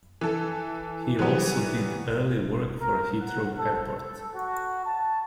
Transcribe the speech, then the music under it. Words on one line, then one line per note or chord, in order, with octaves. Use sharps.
He also did early work for Heathrow Airport.
E3 A4
E3 F#3 G3 B3
A#4
F#5
A4
A4
F#4
A5